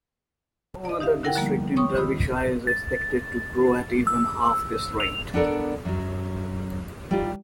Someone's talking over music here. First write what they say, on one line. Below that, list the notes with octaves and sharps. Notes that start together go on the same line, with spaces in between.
No other district in Derbyshire is expected to grow at even half this rate.
D5 D#5
D#4 G4 E5 F5
D3 E4 A#4 F#5 G5
D3 F3 G3 A#3 B3
C#5 G5 C6 C#6 D#6
D#3 C#4 F4 B5 D#6 E6
A6
E6
F7
B3 D4 A4 A#4 D5
F#2 F#3
G3 D#4 F4 G4